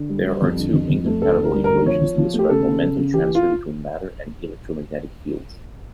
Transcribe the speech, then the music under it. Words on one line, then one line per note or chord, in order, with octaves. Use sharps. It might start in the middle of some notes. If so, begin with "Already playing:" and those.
There are two incompatible equations to describe momentum transfer between matter and electromagnetic fields.
Already playing: D3
G3
G3
F2
D3
F2
F2
A3
D2 A4
D2
A#4
G3
A#4
D2
F3 C#5
F3
F3
A3
G4
C#3 A4
C#3
C#3
C#3
E3 G4
F4